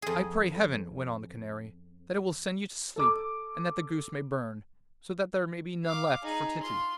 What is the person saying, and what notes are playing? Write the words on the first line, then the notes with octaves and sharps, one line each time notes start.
'I pray Heaven,' went on the Canary, 'that it will send you to sleep, and that the goose may burn, so that there may be none left for Titty.'
F2 G#4
A4 D6
F5 D6
D#4 G#4
F4 C6